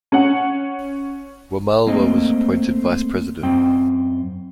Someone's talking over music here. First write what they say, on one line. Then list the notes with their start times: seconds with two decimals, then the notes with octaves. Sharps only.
Wamalwa was appointed vice-president.
0.12 C#4 F#5
1.87 A3 A#3 C4 D#5
3.43 F#2 C4 G5